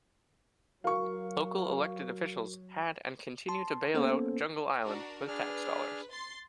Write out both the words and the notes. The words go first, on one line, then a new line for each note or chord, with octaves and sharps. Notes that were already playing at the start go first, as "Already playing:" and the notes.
Local elected officials had and continue to bail out Jungle Island with tax dollars.
F#3 F#4 A#4 F5 C#6
A5 C6
A#3 B3 C#4 A4 C5
D4 F#4 A#4
D4 G#4 B4 F6
C6 A6 C7